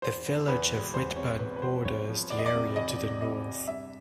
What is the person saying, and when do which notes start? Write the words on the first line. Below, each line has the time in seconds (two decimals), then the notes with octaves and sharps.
The village of Whitburn borders the area to the north.
0.02 E2 C5
0.25 E2
0.48 E2 B4
0.71 E1
0.93 E2 C5
1.16 C3 C#5
1.39 E1 B4
1.56 B4
1.62 F3 C5
1.85 C3 C#5
2.08 F3
2.30 E2 D5
2.38 D#5
2.46 D5
2.54 C3
2.76 E2 D#5
2.99 C3
3.21 C3 D#5
3.44 C3
3.67 G2 E5